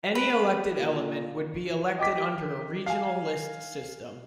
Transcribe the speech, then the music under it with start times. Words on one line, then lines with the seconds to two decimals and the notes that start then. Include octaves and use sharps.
Any elected element would be elected under a regional list system.
0.15 B4
0.79 A#2
1.98 D#5 G5 D6 B6
2.86 F5 G#5